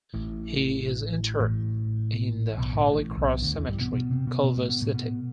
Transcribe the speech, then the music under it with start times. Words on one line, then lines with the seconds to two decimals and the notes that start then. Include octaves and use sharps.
He is interred in the Holy Cross Cemetery, Culver City.
0.14 A1 A2
1.40 A1 A2
2.58 B1 B2
2.75 A1 A2
2.92 A1 A2
3.18 B1 B2
3.42 D2 D3
3.55 E2 E3
3.68 G2 G3
3.80 B2 B3
3.93 B2 B3
4.11 C3 C4
4.27 B2 B3
4.44 B2 B3
4.57 A2 A3
4.69 B2 B3
4.81 A2 A3
4.94 B2 B3